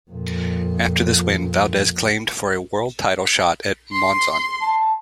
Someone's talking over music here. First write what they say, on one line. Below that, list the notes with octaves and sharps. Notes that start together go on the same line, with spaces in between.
After this win, Valdez claimed for a world title shot at Monzon.
F2 A#2
C6
A5